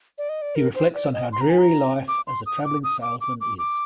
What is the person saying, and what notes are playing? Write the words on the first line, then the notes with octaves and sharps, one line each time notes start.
He reflects on how dreary life as a traveling salesman is.
D5
D#5
D5
A#4
C5
D5
D#5
C6
A#5
G#5
A#5
D6
C6
D#6
D6
D#6
D6
D6
D6
D6